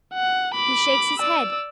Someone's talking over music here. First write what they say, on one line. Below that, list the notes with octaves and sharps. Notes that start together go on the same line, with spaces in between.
'He shakes his head!
F#5
B5 D6
D5 E6